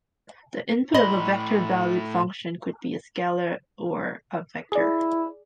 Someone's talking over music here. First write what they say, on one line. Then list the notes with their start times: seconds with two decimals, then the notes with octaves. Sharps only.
The input of a vector-valued function could be a scalar or a vector.
0.94 A2 D#5 B5 C6
4.72 E4 G#4 D5